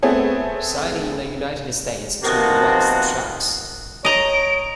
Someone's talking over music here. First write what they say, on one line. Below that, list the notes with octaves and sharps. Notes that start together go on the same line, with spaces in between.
Signed in the United States to Wax Trax!
A3 B3 C4 G#4 A4
C3 D#3 F3 A#3 B3 F#4
C#5 D#5 A#5 D7